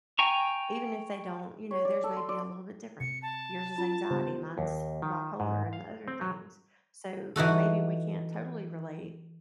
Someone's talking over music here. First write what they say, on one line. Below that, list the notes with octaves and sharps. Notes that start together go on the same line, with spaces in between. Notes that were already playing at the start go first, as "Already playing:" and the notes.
Even if they don't, you know, theirs may be a little bit different. Yours is anxiety, mine's bipolar, and other things, so maybe we can't totally relate
G5 G#5 A#5 C#6
C#5
D5
A4
C6
D5
C3 C#7
A5
C#4 F4
C#3 G3 B3 G4 C5
D#2
D#3
G#2
F5
C4
F#3
E3 D#4 F#4 A4